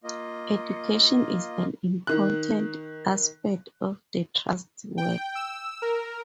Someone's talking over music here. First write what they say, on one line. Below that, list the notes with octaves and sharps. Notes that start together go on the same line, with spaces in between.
Education is an important aspect of the Trust's work.
A#3 F4 D#5
D#3 F#6
G5
E6
A#4